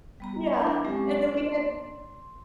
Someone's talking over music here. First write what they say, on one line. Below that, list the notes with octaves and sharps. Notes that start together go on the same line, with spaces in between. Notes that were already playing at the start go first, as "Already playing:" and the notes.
Yeah. And then we had
G3 B3 A#5
D4 E4 D6
F#3 G#3 C4 C#4 G4
C6